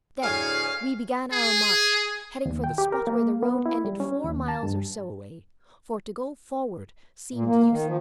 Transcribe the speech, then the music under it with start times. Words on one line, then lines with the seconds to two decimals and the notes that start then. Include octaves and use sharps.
Then we began our march, heading for the spot where the road ended four miles or so away, for to go forward seemed useless.
0.23 D2 A2 G#4 C#5 F5 F6
1.32 G#4
2.46 D#2
2.64 G5
2.78 G4
2.92 A#4
3.07 A#3
3.43 B3
3.66 E4
3.85 G3
4.00 C#4
4.24 D#2
4.48 A5
4.63 G2
7.34 A#2
7.47 A#3
7.70 D#3
7.86 F3